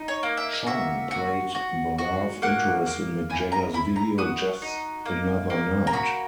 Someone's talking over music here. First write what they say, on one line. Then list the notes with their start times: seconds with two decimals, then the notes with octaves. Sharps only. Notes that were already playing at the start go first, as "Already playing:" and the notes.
Chong played the love interest in Mick Jagger's video "Just Another Night".
Already playing: D#4
0.08 C#5
0.23 A#3
0.37 E5
0.66 F#4 E5
1.11 F#4
1.55 F#4
1.98 F#4
2.42 A#3 F#5
2.87 A#3
3.30 E4 G#5
3.52 A#5
3.74 E4 B5
3.96 A#5
4.18 F#4 D#6
4.62 D#4
5.05 A#3
5.50 A#3
5.87 A#5
5.93 F#4 B5